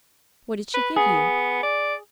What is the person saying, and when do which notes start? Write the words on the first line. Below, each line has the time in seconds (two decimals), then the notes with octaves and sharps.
'What did she give you?'
0.74 B4
0.96 B3 G#4
1.63 D5